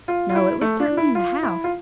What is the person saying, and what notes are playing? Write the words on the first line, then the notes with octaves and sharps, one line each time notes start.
No, it was certainly in the house.
F4
F4
E4
A3
D4
E4
F4
E4
F4